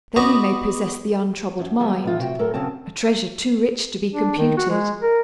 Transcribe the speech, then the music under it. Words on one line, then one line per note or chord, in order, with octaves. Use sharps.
Then we may possess the untroubled mind, a treasure too rich to be computed.
B3 D#4 F#4 D5 A5 A#5
F#2
D#3 F#3 G3 B3
A2 D#4 F4
C3 F#4 G5
A2 F#3 A4 A#4
F#2 C#3 F#3 C4 G#5 A5
D4
D#3
F#4
G#3
A#4